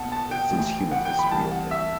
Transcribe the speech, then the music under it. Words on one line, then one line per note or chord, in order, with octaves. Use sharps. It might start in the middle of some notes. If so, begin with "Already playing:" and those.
eh, since human history, I think.
Already playing: B1 B2 F#5 A5
A5
G5
A1 A2 E3
F#5
G5
B5
C2 C3 E3 A5
F#5
E5